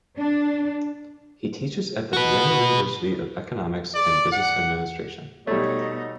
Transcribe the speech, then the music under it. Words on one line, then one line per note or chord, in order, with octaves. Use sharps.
He teaches at the Vienna University of Economics and Business Administration.
D4
F#4 B4
D5
F#5
B2 G3 A3 D#4 C#5